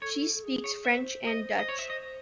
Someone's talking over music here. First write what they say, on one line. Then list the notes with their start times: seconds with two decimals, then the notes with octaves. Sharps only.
She speaks French and Dutch.
0.02 A4 C#5
0.34 A4
0.43 G#4
0.64 C#5
0.85 C5 E5
1.27 D#5
1.59 D#5
1.68 C#5
1.79 E5
1.90 D#5